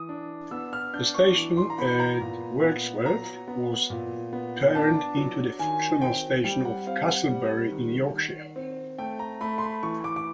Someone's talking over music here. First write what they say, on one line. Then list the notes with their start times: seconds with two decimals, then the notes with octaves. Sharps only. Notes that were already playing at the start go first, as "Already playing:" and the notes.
The station at Wirksworth was turned into the fictional station of 'Castlebury' in Yorkshire.
Already playing: E3 D#6
0.09 D4
0.51 B3 E6
0.73 F6
0.94 D4 G6
1.14 C#6
1.36 E3
1.57 C6
1.70 A#5
1.78 B3 B5
2.00 A#5
2.21 A#2
2.63 B3
3.05 F#3 A#5
3.48 B3
3.90 A#2
4.33 B3
4.75 D4 A5
5.17 F#3
5.59 D#3 G#5
6.02 C4 G5
6.44 G3 G5
6.65 F#5
6.87 C4 F5
7.08 F#5
7.29 G3
7.72 D#3
8.14 D#3
8.56 C4
8.98 A3 G5
9.19 A#5
9.41 A3 B5
9.58 C6
9.62 B5
9.83 E3 C#6
10.04 D6
10.16 D6